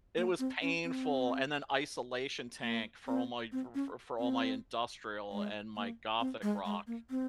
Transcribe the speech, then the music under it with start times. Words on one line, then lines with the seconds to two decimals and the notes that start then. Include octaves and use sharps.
it was painful, and then isolation tank for all f f for my industrial and my gothic rock,
0.17 A#3
0.39 C4
0.62 C#4
0.84 C4
2.63 A#3
3.07 C4
3.52 C4
3.74 C#4
4.19 C4
5.31 G#3
5.76 A#3
6.20 C4
6.42 G#3
6.65 G#3
6.87 A#3
7.10 C4